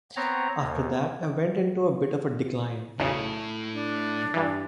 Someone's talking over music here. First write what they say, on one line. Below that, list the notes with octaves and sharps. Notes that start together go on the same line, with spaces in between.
After that I went into a bit of a decline.
B3 C4 C#5 A#5
D#2
B1 E2 A2 C#3
D4
G2 E3